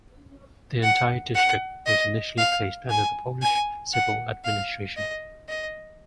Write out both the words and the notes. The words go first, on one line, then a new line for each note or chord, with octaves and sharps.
The entire district was initially placed under the Polish civil administration.
F#5
F#5
D#5
F5
G#5
G#5
F#5
F5
D#5
D#5